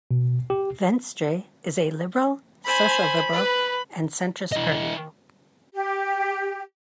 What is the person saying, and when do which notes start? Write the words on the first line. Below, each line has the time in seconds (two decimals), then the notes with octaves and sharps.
Venstre is a liberal, social-liberal and centrist party.
0.11 B2
0.50 G4
2.66 C5 G#5 B5
3.03 B5
3.32 B4
4.52 E3 D#5
5.75 G4